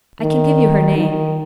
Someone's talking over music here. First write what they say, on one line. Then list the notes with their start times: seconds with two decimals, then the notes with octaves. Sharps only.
I can give you her name.'
0.22 D#3
0.98 D#3